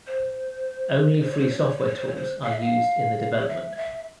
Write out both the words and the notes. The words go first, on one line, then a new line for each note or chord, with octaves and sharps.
Only free software tools are used in the development.
C5
C5
C#5
C5
C#5
C5
C#5
C5
C#5
C5
C#5
C5
F5
E5
F5
C#5
E5
E5